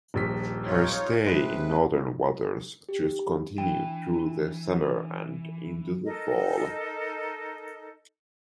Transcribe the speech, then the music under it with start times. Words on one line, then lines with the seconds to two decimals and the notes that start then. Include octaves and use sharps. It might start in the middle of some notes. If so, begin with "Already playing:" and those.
Her stay in northern waters thus continued through the summer and into the fall.
0.14 D#1 A#1 B6
0.66 D#4 F4 C#5
1.27 C3 G#3 B4
2.89 G4
3.58 E3 D4 G5
6.05 D#4 A4 A#4 D#5